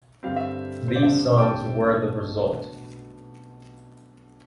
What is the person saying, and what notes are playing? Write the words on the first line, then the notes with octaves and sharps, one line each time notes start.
These songs were the result.
G2 D3 G3 C4 F5
E5
C5
D5
F2 D3 G3 D4 E5
G5
A5
B1 B2 A3 D4